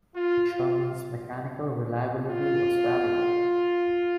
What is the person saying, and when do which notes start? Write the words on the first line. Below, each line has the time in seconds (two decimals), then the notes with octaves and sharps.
The Sherman's mechanical reliability was valued.
0.15 F4
0.51 F4
2.28 F4